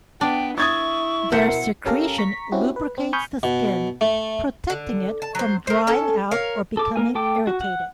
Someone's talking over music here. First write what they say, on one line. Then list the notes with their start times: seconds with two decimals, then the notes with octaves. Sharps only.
Their secretion lubricates the skin, protecting it from drying out or becoming irritated.
0.21 B3 D4 G5
0.58 E4 C#6 D#6 G#6 A6
1.32 B2 A#4 C5 E5 F#5
1.86 C#4 G4 A4 A#4 F5 A#5
2.18 A#5 C#6 B6
2.52 C4 C#4 E4 F#4 G4
2.76 B4
2.98 C4
3.13 G#5 B5 C#6 D#6 F6 G6
3.43 B2
4.01 A3
4.70 D3
5.22 A5
5.35 F#3 C5
5.67 A#4 C5
5.87 C#4 A4 A5
6.31 A#4 C#5 F5
6.77 A4 D6
6.96 A#3 A#4 G#5
7.15 A3 A4 G5 D6
7.47 F#4
7.61 F#5